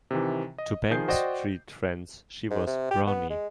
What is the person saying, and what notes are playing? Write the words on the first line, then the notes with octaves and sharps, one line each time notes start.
To Bank Street friends she was "Brownie".
C3 D#3 E3
D#5
D#3 F3 G#4 G6 C7
F#4 C5 D5 D#5 G5
G#2
C3
G4
B3
G#3